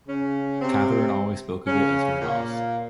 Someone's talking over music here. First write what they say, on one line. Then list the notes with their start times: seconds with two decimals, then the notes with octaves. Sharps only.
Catherine always spoke of it as her house.
0.08 C#3 C#4
0.61 C3 C4
1.67 C#3 C#4
2.21 A#2 A#3